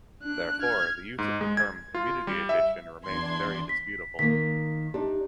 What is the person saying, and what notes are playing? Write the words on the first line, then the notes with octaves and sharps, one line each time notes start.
Therefore, the use of the term "community edition" remains very disputable.
D4 F#6
F6 G#6
G#2
G#3
G#6
F4
G3
E5
E2 D4 C6 G#6
B6
D#3 A#3 B6
D4 D#4 G4